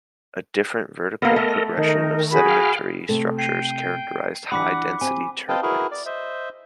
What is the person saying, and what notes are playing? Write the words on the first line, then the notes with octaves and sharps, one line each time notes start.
A different vertical progression of sedimentary structures characterize high-density turbidites.
A#3 B3 A4 A#4 D#5
A3
D#3 D#4 A#4
F#4 G#4 B5
F5 G5 F6
C3 A3 A4
G5 C7 D#7
E3 D4 G4 F#5 B5 D6 B6
C4 G4 G#5
C4 B4 D#5 F5 G5 A5
E4 F#4 G#4 A#4 B4
D5
C5 D#5 E5